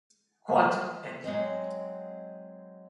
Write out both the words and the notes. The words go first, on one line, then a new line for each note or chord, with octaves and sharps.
Huot et.
F#3 G#3 A3 C4 D#5